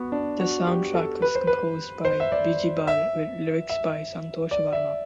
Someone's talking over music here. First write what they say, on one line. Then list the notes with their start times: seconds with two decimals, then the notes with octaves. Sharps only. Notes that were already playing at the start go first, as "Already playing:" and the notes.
The soundtrack was composed by Bijibal with lyrics by Santhosh Varma.
Already playing: B3 F#4
0.12 D4
0.40 F#4
0.67 G4
0.95 A4
1.22 B4
1.35 C5
1.47 B4
2.05 C5
2.20 E5
2.32 D5
2.87 E5
3.69 E5
4.51 D5
4.73 E5